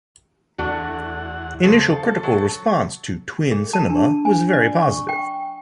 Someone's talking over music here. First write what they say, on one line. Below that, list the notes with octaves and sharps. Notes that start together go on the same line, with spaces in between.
Initial critical response to "Twin Cinema" was very positive.
E2 A3 D4 F#4 F#5
C#3 A4 C5
F#3
G#4
A5
D4
G#5
D5
C#6
G5